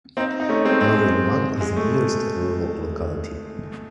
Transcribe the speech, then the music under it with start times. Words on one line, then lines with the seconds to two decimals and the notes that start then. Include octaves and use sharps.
Novy Liman is the nearest rural locality.
0.17 C4 D#4
0.40 D#4
0.49 A3 C#4
0.65 G#3 C4
0.81 G#3 C4
1.61 G#3
1.76 A3